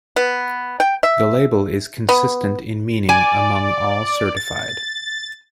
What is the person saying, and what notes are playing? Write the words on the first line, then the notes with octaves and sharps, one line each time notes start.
The label is consistent in meaning among all certified.
B3
G5
E5
B3
D5 G#5
A6